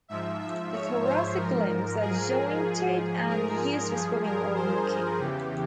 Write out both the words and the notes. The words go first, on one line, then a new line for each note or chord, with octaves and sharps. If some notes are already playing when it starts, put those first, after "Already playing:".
The thoracic limbs are jointed and used for swimming or walking.
G#2 F3 E5
E5
C#5
C5
G#2 F3 A#4
G#4
G#2 F3
A#4
G#4
G2 F3 G#4
A#4
C5
G#4
E2 C#3 E3 G4